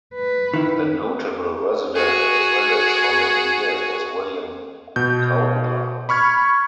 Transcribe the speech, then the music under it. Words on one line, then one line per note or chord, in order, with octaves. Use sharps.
A notable resident of the village for many years was William Cowper.
B4
D#3 E4
F#4 G#4
B2 G6
B5 C#6 F6 G#6